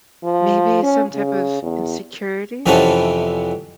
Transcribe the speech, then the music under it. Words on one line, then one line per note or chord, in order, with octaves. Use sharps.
maybe some type of insecurity.
F3
C#4
C#3
E2
F2 C3 E3 B3 C#4 A5